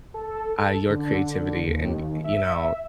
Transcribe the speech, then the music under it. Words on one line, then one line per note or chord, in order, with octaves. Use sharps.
uh, your creativity and, you know,
A4
D3
D#2
E5